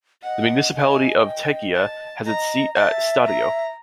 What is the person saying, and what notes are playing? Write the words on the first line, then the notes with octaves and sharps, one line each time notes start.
The municipality of Tegea has its seat at Stadio.
D#5 F#5
D#5 G#5
G5
A5
D#5 A#5
E5 F#5 A5
A#5